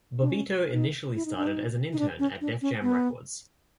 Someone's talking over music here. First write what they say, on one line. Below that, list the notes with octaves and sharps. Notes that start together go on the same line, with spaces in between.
Bobbito initially started as an intern at Def Jam Records.
D4
C#4
D#4
E4
D#4
D4
D#4
D#4
D4
C#4
D4
C#4
B3